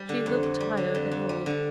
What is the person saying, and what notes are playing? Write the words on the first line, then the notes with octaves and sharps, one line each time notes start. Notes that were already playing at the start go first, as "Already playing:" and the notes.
She looked tired and old.
Already playing: G3
D3
F2
F2
G3
D3
F2
F2
G3
D3